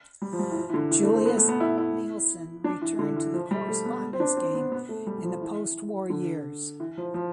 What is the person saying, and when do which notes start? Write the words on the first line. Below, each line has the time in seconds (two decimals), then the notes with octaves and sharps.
Julius Nielsen returned to the correspondence game in the postwar years.
0.22 G3
0.33 F3
0.39 G3
0.51 E3
0.56 F3
0.70 E3
0.74 D3
0.91 E3
1.03 A3
1.14 C4
1.25 B3
1.37 A3
1.48 B3
1.60 E4
1.78 E4
2.64 D4
2.82 E3
2.99 D3
3.16 E3
3.34 F3
3.51 G3
3.68 A3
3.85 B3
4.13 C4
4.20 D4
4.37 C4
4.54 B3
4.72 B3
4.89 A3
5.07 G3
5.18 G3
5.24 F3
5.41 E3
6.10 D3
6.80 E3
6.97 F3
7.14 F3